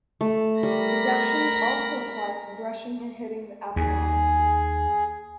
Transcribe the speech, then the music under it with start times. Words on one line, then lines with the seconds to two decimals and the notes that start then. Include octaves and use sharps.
Deductions also apply for brushing and hitting the apparatus.
0.21 A3
0.63 G3 A#4 B5 A#6
3.76 D#2 G#4